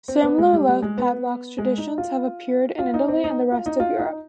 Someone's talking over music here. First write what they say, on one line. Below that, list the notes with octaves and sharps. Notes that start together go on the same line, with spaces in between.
Similar love padlocks traditions have appeared in Italy and the rest of Europe.
C4
B3
G#3
G3
G3
G#3
B3
G#3
D#4
F4
F4
D#4
C4
D#4
F4
D#4
F4
D#4